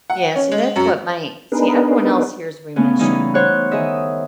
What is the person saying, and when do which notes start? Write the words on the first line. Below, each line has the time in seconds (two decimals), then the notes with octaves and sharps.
Yeah, so that's what my see, everyone else hears, "remission."
0.10 F#5
0.36 C#4
0.52 G#3
0.76 F#2
1.52 B3 D4 D#4 G#4 A#4 B4
2.76 C#3 A3 B3 C#4
2.99 C#3 E3 G3 C#4 D#4 E4
3.34 C5 C#5 F#5 F#6
3.71 D#3 G#4 D#5 E5